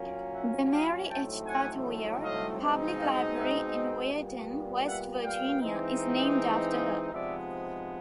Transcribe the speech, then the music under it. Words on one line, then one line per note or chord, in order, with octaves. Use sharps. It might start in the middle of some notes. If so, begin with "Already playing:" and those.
The Mary H. Weir Public Library in Weirton, West Virginia, is named after her.
Already playing: A#2 F#3 A#3 C#4
E5 F#5
F5 G5
A2 F#3 A3 C4 D#4 G5 A5
F#5 G#5
D#5 F5
B2 G#3 C4 D#4
F5 G5
E5 F#5
A#2 G3 B3
E5 F#5
F5 G5
E3 G#3 C4 D#4
D#5 F5
C3 F3 G#3 B3 D#4 D5 E5